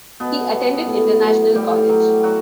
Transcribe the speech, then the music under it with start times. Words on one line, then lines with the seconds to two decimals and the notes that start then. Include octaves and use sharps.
He attended International College.
0.20 B2 B3
0.53 G3
0.87 A2
1.21 F#3
1.55 A2 G3 G4
1.89 F#3
2.23 F#3 F#4